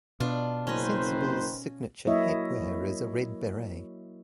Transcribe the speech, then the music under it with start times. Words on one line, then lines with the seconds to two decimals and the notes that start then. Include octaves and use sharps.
Sensible's signature headwear is a red beret.
0.20 B2 D4 F4
0.67 F#1 D#3 C#4 B4 C5 D#5
2.07 F#3 A#3 E4 C#5 D#5 E5